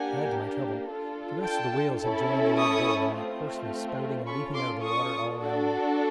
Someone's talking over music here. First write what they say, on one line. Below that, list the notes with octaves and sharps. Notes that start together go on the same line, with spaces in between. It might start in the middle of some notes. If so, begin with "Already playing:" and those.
To add to my trouble, the rest of the whales had joined the old bull, and were hoarsely spouting and leaping out of the water all around me.
Already playing: A#3 D4 G4 F#5 G#5
D4 F4 A4
G5 A5
C#4 E4 A4
C#6 D#6
A3 C4 F4
C#4 F4 A4 B5 C#6
C6 D6
C#6 D#6
D4 F#4 A4